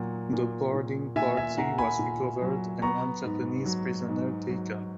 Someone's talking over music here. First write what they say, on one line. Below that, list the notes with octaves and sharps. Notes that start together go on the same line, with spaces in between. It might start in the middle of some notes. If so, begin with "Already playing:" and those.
The boarding party was recovered and one Japanese prisoner taken.
Already playing: A#2 F#3 F#5
A#2
A#2
A#2 E5 G#5
E5 G#5
A#2 F#5 A#5
G#5 B5
A#2
F#3
B3 A#5 C#6
G#2
F#3
G#2
F#3